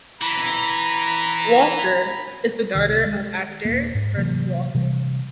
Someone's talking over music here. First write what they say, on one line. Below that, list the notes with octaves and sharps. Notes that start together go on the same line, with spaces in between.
Walker is the daughter of actor Chris Walker.
E3 A#5 B5
C2 D#3
G#3
D#1 A#3
G#2
C3 E3 F#3 A#3
C3 E3 G3